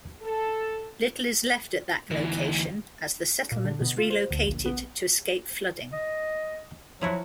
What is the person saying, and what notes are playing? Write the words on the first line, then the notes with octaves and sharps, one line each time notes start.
Little is left at that location as the settlement was relocated to escape flooding.
A4
D2 E3
A#2
D3
B2
F4
C5
D2
A#1
B3
D#5
F3 F#3 E4 F#4